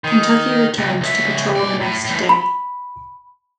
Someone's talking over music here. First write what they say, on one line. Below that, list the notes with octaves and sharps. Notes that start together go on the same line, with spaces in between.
Kentucky returned to patrol the next day.
D#3
C#2 C3
C#2 E5
B1 D5
A2
E2 A2
B5